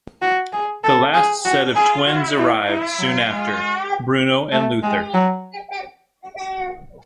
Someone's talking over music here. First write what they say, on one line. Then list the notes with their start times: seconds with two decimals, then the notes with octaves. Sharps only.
The last set of twins arrive soon after - Bruno and Luthor.
0.22 F#4
0.53 G#4
0.84 A4
1.14 G#4
1.45 F#4
1.76 G#4
2.06 F#4
2.38 E4
2.68 E4
2.99 F#3
3.30 G#3
4.52 A3
4.83 G#3
5.14 F#3